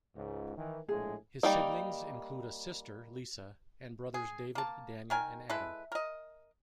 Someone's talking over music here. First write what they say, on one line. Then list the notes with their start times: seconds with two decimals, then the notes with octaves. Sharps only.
His siblings include a sister, Lisa, and brothers David, Daniel, and Adam.
0.15 C#2 G#2
0.57 D#3 E3
0.89 A#1 A2 G#3 G#4
1.43 G3 A#3 D#4
4.14 G#4
4.55 A#3 A5
5.10 D#3 A#4 G#5
5.50 G#3 E4 A4 B4
5.92 A#4 D#5